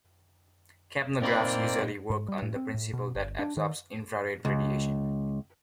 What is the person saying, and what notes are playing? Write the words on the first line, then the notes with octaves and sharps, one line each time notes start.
Capnographs usually work on the principle that absorbs infrared radiation.
A#2 A#3 C4 D#4 D5 B5
G#2
G3
A2
C4
A2
B2
G1
D4
D#3
C#2